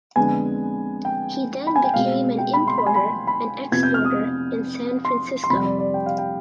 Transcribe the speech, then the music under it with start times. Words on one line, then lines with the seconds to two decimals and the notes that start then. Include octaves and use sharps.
He then became an importer and exporter in San Francisco.
0.16 F2 D3 G#3 B3 G#5
1.05 G5
1.67 B5
1.76 G#5
1.84 G5
1.94 B2 G#3 C4 F5
2.38 G5
2.53 B5
2.68 C6
2.78 B5
2.87 G#5
2.96 B5
3.27 B5
3.72 F2 C3 F3 B3 G#6
3.83 G6
3.94 F6
4.05 D#6
5.05 C6
5.44 C6
5.50 F2 C3 G3 C4 B5
5.65 D5
5.79 D5
5.94 G5
6.06 F5
6.18 G5